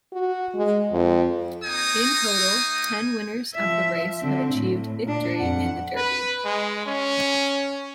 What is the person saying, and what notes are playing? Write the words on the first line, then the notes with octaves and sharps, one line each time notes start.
In total, ten winners of the race have achieved victory in the Derby.
F#4
G#3
F2
A#3 D#4 G#5 D#6
F3 E5
D3 C4
A2
A#2 D4
F2 F#5
B4
G#3
C#4